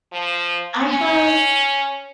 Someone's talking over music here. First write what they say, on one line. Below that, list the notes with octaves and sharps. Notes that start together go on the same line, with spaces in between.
I have
F3
C#4